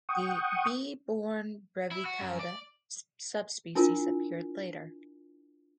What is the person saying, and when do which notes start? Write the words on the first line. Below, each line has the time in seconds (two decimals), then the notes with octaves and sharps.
The "B. born brevicauda" subspecies appeared later.
0.09 F#5 G5 C#6 D#6
1.91 E4
2.05 F#4
2.21 F#2
2.39 D5
3.75 D4 E4 F4 A#4 G#5